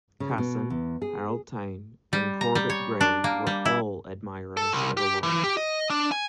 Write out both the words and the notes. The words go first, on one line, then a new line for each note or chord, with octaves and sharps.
Casson, Harold Town, and Corbett Gray were all admirers of Elora.
C#3
B2
E2
G#4
G3
A#5
G3
C#5
D4
A#3
G3
E4
A4
C2
G4
E3
G4
D#5
D4
G#5